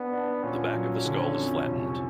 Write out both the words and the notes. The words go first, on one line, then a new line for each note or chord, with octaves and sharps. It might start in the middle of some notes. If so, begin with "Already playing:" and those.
The back of the skull is flattened.
Already playing: B3 D4
D4
A#2 C#4
F#3
D3
F2
C2 C#4